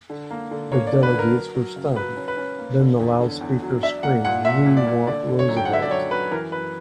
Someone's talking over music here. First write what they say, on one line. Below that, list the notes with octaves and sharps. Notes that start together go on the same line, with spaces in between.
The delegates were stunned; then the loudspeaker screamed We want Roosevelt...
D3
A#3
D3
A#3 C#5
D5
D3
B4
D3 A#4
F#3
F#3
C#3
F#3 B4
C#4
B4
C#4
A#3
D3
E2
D3
E2
F#3
D4 E5
A#3 F#5
A#2 F#5
A#2 E5
A#2
D5
A#2
D3 D5
D3
C#5
F#2
G5
F#5
D3 E5
D5
F#2 C#5
F#2 B4
E3 A#4
F#2 B4